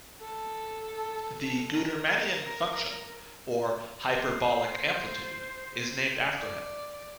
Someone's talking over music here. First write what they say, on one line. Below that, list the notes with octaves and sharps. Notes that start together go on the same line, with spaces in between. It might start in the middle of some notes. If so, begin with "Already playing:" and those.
The Gudermannian function, or hyperbolic amplitude, is named after him.
A4
A#4
C5
D5